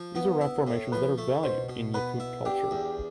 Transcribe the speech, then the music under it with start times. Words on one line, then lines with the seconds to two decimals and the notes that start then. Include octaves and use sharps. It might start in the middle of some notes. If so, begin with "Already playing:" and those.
These are rock formations that are valued in Yakut culture.
Already playing: F3
0.15 B3
0.41 E4
0.67 A2
0.92 F3 B4
1.18 A3
1.43 B2 C5
1.69 B2
1.94 B3 B4
2.20 E4
2.45 D4 G4
2.71 E2